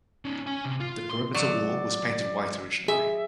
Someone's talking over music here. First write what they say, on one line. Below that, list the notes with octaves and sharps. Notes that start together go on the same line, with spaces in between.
The perimeter wall was painted white originally.
C#4 D#4
C#4 G#5
C3
F4
C6
F#3 D5
G#4 E5